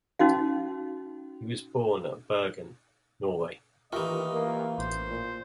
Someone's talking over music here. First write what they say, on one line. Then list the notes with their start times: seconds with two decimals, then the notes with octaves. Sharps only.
He was born at Bergen, Norway.
0.19 C#4 D#4 F#4 F5
3.93 D#2 E3 A3 F4 G4 A#4 D#5
4.32 A#3
4.78 A1 C5
5.09 A#2